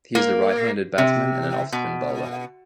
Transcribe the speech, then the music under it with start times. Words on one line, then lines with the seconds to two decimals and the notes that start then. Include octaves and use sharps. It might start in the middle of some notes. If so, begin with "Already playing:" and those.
He is a right-handed batsman and an off-spin bowler.
0.15 A#3
0.98 C3
1.72 B2